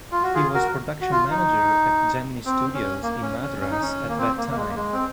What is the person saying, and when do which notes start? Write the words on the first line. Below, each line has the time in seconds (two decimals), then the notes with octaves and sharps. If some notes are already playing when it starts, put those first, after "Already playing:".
He was Production Manager at Gemini Studios in Madras at that time.
0.12 F4
0.23 F#4
0.34 F4 G#4
0.54 F#4 A#4
1.01 F#4
1.11 F4
1.31 D#4
2.45 C4
2.74 C#4
3.03 A#3
3.22 C#4
3.41 C#4
3.61 C#4
3.71 D#4
3.82 C#4
4.09 A#3
4.18 C4
4.37 A#3
4.50 A#3
4.57 G#3
4.69 A#3
4.75 G#3
4.93 C4